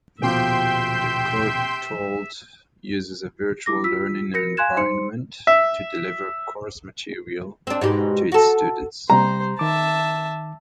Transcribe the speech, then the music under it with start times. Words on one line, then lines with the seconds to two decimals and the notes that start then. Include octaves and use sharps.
The Courtauld uses a virtual learning environment to deliver course material to its students.
0.22 D#1 B2 F3 G4 E5 G5 C6 G6
3.66 E4 D6 A#6
3.84 F4 E6 B6
4.34 F#4 A#4 A#6 C#7
4.57 F5 G#5 C6 F#6 G#6 E7
4.77 D#4 C5 C6 C#7
5.47 E5
7.67 C4 D4
7.81 G#2 B2 G4
8.32 F#4 A4
9.10 C3 G3 G4 C5 A#5
9.59 D#3 E5 A5 D6